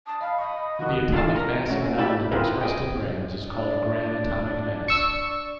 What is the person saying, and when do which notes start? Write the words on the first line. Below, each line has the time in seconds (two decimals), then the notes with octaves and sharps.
The atomic mass of an element expressed in grams is called gram atomic mass.
0.07 A5 D#6
0.21 D#5 F5 B5
0.39 D#5 C#6
0.79 D3 D#3 F#4
1.12 D4 F4 A4 F5 A5
1.35 A#4 A#5
1.69 A3 C#4 F#4
1.97 D#4 E4 G4 E5 A5 B5
2.31 C4 E4 F4 G#4 A#4 B4
2.61 G#4 G5
3.48 D4
4.88 C#6 E6 C#7